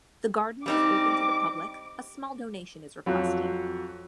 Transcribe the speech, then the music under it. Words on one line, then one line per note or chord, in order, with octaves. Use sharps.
The garden is open to the public, a small donation is requested.
G3 C4 D#4 D6
F2 F#3